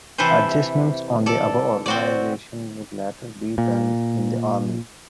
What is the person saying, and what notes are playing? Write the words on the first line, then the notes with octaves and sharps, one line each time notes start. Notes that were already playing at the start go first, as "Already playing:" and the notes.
Adjustments on the above organization would latter be done in the Army.
C3 E3 A4 B4 C5
A4 D5
C4 F#4 D5
A#2